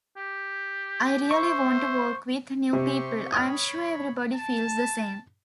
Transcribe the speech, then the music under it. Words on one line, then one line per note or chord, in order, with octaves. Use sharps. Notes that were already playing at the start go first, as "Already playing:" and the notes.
I really want to work with new people, I'm sure everybody feels the same.
G4
C5 E5 C#6
C3 G4 C6 C#6
C#5 B5 D#6 F6
A5